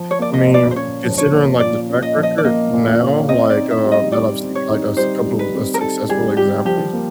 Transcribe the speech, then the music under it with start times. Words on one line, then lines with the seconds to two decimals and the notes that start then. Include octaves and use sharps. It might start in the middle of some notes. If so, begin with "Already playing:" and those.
I mean, considering, like, the track record now, like, um, that I've seen, like, a couple of successful examples,
Already playing: F3
0.11 C#5
0.19 A#3 D5
0.33 D#5
0.47 A#2
0.54 D5
0.71 C5
0.76 C#4 C#5
1.04 F3
1.18 C#5
1.31 A#3
1.59 A#2 D5
1.88 C#4
2.02 D#5
2.17 F3
2.23 D#5
2.38 D5
2.44 A#3 D#5
2.73 A#2
3.00 C#4
3.28 C4 D#5
3.50 D5
3.57 D#4
3.71 E5
3.85 G3
3.91 D#5
4.12 G3 D5
4.41 C4
4.55 C#5
4.69 D#4
4.97 G3 C5
5.25 G3
5.39 B4
5.53 C4
5.74 A#4
5.81 D#4 A4
6.09 G3 G#4
6.37 G3 G4
6.65 F3 G4
6.93 A#3